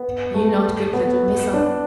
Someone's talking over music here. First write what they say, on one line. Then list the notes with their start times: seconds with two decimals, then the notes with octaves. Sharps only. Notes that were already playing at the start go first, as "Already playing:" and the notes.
You not good little Missa.
Already playing: B3
0.34 A3
0.93 B3
1.54 D4